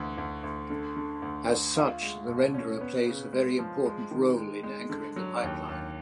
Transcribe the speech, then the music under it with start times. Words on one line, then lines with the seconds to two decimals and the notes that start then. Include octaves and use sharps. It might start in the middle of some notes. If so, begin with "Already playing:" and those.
As such, the renderer plays a very important role in anchoring the pipeline.
Already playing: D2 E3
0.18 D2
0.43 D2
0.70 D3
0.96 D3
1.22 D2
1.49 D2
1.76 F4
2.02 G#3
2.28 B2
2.54 C#4
2.81 B3
3.06 C#3
3.33 G#3
3.59 F3
3.86 G#3
4.11 D#3
4.37 G#3
4.63 G#3
4.90 D3
5.16 F#3
5.43 D#2
5.69 D#2